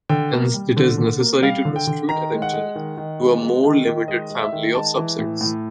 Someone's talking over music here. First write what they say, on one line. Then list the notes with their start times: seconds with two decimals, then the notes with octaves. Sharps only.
Hence, it is necessary to restrict attention to a more limited family of subsets.
0.09 D3 G5
0.32 A#3
0.54 G3
0.77 D3
0.98 D3
1.21 A#3
1.42 G3 F5
1.65 D3
1.76 G5
1.87 D3
2.09 D#3 A#5
2.31 G#3
2.42 F#5
2.53 G#3
2.75 D#3
2.97 D#3
3.20 G#3
3.42 G#3
3.64 D#3
3.87 D#3
4.08 G#3 D#5
4.30 G#3
4.42 E5
4.53 D#3
4.75 G#3 A5
4.97 E3
5.19 A2
5.41 A2